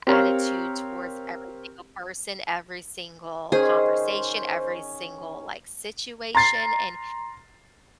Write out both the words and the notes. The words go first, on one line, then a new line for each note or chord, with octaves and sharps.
attitude towards every single person, every single conversation, every single, like, situation, and
C4 G4 A#4 C#5 F5
D#3 C#4 G#4 C5
A#5 C6 A6 C7